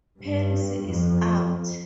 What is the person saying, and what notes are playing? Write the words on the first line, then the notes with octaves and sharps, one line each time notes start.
Paris Is Out!
G2
F2